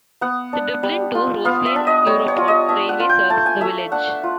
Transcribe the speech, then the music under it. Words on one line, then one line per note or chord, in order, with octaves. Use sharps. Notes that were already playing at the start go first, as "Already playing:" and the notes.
The Dublin to Rosslare Europort railway serves the village.
B3 F#5
D4
G3
F4
B3 F5
E5
D4
D#5
G3 C#5
C#5
F4
D#5
D4 E5
F#5
F4
G5
A3 A5
G#5
A3 E5
D4 F#5
F4